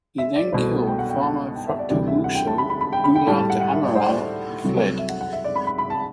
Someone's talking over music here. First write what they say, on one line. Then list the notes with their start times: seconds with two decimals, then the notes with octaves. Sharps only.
He then killed farmer Fructuoso Goulart do Amaral and fled.
0.18 E5
0.36 D5
0.52 C2 B2 A3 C5
0.87 G5
0.99 F#5
1.09 G5
1.21 A5
1.55 G5
1.67 E5
1.79 D5
1.90 D2 C3 E3 G3 D5
2.07 E5
2.24 F#5
2.35 G5
2.47 A5
2.58 B5
2.70 B5
2.81 B5
2.93 G5
3.04 B5
3.15 G5
3.27 A2 G3 A5
3.38 A5
3.50 F#5
3.61 F#5
3.73 E5
3.84 D5
3.95 C5
4.07 D5
4.18 D5
4.64 C2 C3 F#3 A3
4.99 E5
5.09 F#5
5.21 F#5
5.33 E5
5.44 D5
5.56 B5
5.67 B5
5.78 B5
5.90 A5